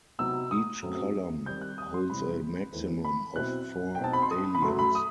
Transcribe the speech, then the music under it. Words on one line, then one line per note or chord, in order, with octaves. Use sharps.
Each column holds a maximum of four aliens.
C3 F#3 B3 D#4 E6
D#6
F#2 F#3 A3 C4
D#3 G3 C4 G6
F#6
D#6
C6
C3 E3 G3 C4 B5
E2 D#3 A3 C4
B5
B2 F#3 C4 E4 F#6
G5
B2 F#3 C4 D#4 A5
B5
C6
D#6
B5
F#2 F#3 A3 C6
B5
D#6